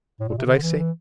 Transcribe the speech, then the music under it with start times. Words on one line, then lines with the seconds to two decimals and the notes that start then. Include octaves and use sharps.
What did I say?
0.20 A2
0.29 A#2
0.38 C3
0.46 D3
0.62 E3
0.79 E3